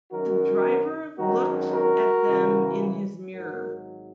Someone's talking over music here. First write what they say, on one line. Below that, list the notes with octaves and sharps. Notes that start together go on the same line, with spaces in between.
The driver looked at them in his mirror.
F#2 D#3 F#3 F#4 A#4
G#1 F#2 D#3 F#3 F#4 A#4
F#4 A#4
F#2 C#3 E3
G#1 G#2 F#3 F#4 A#4